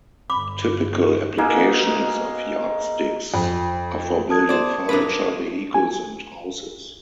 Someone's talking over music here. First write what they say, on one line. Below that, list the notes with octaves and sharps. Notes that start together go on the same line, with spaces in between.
Typical applications of yardsticks are for building furniture, vehicles and houses.
G1 B5 D6
B2 A#3 D#4 G#4
F2
A5 D#6 G#6
C5 D5
D4 A#4 B4
G#5